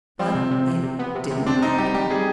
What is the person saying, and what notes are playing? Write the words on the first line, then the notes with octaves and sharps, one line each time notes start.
But it didn't happen.
F3 C4
C3
C3
C3
C3
B3
C3
C3
C4 D4
C4 D#4
G3 G4
G3 G4
G3 G#4